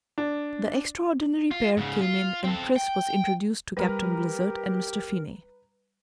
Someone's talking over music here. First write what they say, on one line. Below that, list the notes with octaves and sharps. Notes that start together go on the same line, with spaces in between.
The extraordinary pair came in and Chris was introduced to Captain Blizzard and Mr. Finney.
D4
F4
G#2 C#3
F4
C4 A4
G5
G3 G4 A#4 B4 A#5 F6